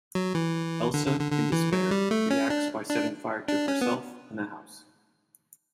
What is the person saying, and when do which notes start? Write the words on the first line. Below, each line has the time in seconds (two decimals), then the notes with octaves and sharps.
Elsa, in despair, reacts by setting fire to herself and the house.
0.15 F#3
0.35 E3
0.94 D3
1.07 D3
1.20 D3
1.32 D3
1.52 E3
1.73 F#3
1.91 G3
2.11 A3
2.31 C#4
2.50 D4
2.90 D4
3.48 D4
3.68 C#4
3.81 B3